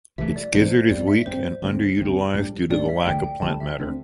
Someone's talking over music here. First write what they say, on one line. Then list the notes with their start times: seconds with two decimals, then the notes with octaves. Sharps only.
Its gizzard is weak, and underutilised due to the lack of plant matter.
0.18 C2 C3 E3 A3 E5
0.36 D5
0.53 C2 C3 E3 A3 C5
0.90 G2 G3 C4 D5
1.08 E5
1.26 G2 G3 C4 C5
1.62 D2 D3 C4
1.99 D2 D3 C4
2.34 A2 G3 D4
2.70 A2 G3 D4 D5
2.89 E5
3.06 D2 D3 G3 G5
3.24 G5
3.42 D2 D3 G3 A5
3.60 E5
3.79 D2 D3 C4